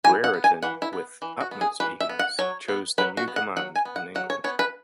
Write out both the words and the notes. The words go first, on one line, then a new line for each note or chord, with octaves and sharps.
Brereton "with utmost eagerness" chose the new command in England.
E3 G#5
F#5
B3
G#5
E3 F#5
E4
B3
E3
F#4
B3
G#4
E3 B4
E5
B3
F#5
F#3 C#5
B3
F#3 B4
F#4
B3
F#5
F#3 F#5
G#5
B3
F#5
F#3 F#5
C#5
B3 C#5
B4